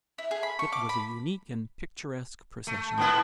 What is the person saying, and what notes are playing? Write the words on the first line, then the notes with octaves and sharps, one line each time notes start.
It was a unique and picturesque procession.
E4
G#4
B5
C#6
D6
B5
A3
G#2 B3 E4